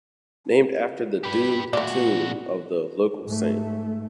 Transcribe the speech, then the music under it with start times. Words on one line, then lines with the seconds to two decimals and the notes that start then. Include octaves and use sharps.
Named after the doomed tomb of the local saint.
1.24 G4 B4
1.73 A#2 A3 F#4 D5
3.23 G#2 A3